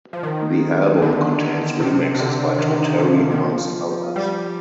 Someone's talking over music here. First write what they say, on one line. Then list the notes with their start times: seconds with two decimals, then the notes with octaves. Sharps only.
The album contains remixes by Todd Terry amongst others.
0.13 F3
0.23 D#3
1.02 D3
1.80 C3
2.14 C3
2.20 D3
2.58 D#3
2.98 F3
3.31 D#3
3.38 F3
4.16 G3